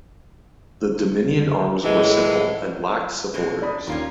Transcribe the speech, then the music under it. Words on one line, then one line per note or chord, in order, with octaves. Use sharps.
The Dominion Arms were simple and lacked supporters.
A2 E3 F#3 G#3
B2 G#3 C4
D4 B5 D#6
D#2 C#4 F4 A#4